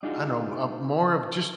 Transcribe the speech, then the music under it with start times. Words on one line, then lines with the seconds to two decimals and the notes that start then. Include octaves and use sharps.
I don't know uh, a more of just
0.03 D4 D#4 F4 F#4 G#4